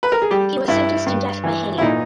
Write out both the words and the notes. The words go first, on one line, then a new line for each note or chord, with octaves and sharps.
He was sentenced to death by hanging.
B4
A#4
G#4
G3 G4
G2 E4
G2
E3
E4
A#2 D#4